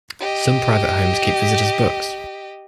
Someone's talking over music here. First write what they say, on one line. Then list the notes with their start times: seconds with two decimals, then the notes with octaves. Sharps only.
Some private homes keep visitors' books.
0.20 G4 D#5